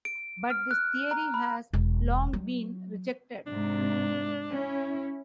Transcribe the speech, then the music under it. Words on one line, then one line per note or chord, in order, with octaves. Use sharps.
But this theory has long been rejected.
D7
F6
F#6
A#5
B5
E1
F#3
G#2 C3 D4
C#4 E4